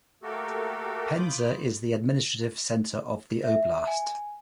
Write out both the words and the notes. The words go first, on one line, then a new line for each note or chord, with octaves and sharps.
Penza is the administrative center of the oblast.
A3 A#3 F#4 G4 A4 A#4
F4 B5 D6 D#6 G6
E5
G#5